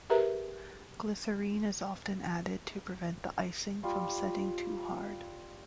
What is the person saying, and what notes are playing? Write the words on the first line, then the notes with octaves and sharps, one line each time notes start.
Glycerine is often added to prevent the icing from setting too hard.
G4 G#4 A#4 B4 E5 A#5
G3 F4